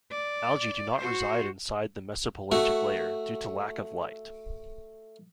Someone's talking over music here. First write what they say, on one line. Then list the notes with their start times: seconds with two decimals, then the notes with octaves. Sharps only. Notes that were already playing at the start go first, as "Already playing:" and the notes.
Algae do not reside inside the mesopelagic layer, due to lack of light.
0.10 D5
0.97 F#4 C5
2.52 A3 F#4